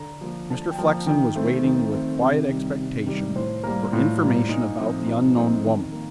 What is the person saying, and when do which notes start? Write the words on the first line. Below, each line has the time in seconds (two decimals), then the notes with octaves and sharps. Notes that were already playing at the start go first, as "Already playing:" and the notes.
Mr. Flexen was waiting with quiet expectation for information about the unknown woman.
Already playing: D3 A#5
0.21 F3 A#3
0.50 D3 A5
0.71 G5
0.78 F3 A#3 A5
1.06 D#3 G5
1.36 A3 C4
1.64 D#3
1.92 A3 C4
2.21 C3
2.49 D#3 G3
2.79 C3
3.06 D#3 G3
3.36 A2 C5
3.63 G3 A#3 A#4
3.92 A2 F4
4.21 G3 A#3
4.49 A#2 D#4
4.79 F3 A3 C4
5.06 A#2 D#4
5.35 F3 A3 C4 D#4
5.64 D#3
5.92 A#3